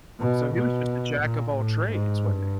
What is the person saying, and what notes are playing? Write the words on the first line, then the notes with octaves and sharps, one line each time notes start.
So he was just a jack-of-all-trades, wasn't he?
B2
B2
A#2
A2
G#2
G2